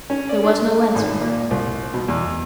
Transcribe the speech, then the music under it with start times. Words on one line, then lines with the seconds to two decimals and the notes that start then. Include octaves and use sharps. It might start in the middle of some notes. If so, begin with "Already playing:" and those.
There was no answer.
0.10 C#4
0.29 D5
0.44 D4
0.95 G#1
1.21 A#2
1.51 C2
1.94 B2
2.08 E2